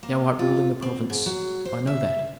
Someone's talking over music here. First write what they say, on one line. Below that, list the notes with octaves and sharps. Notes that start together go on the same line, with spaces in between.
Thou art ruling the province--I know that.
A#3
F4
C4
G#2
F#3
C5
E5